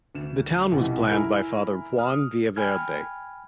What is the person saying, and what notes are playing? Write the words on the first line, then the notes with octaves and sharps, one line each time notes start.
The town was planned by Father Juan Villaverde.
D2 E7
C2 F2 B2 E3
E4 A#4 G#5
D#6 F6
G5 G#5 B5 F6 G#6